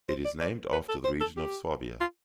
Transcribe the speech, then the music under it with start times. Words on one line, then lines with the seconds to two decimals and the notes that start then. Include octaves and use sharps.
It is named after the region of Swabia.
0.09 C5
0.25 D5
0.41 D5
0.73 B4
0.89 A4
1.05 C5
1.21 A4
1.37 G4
2.01 F4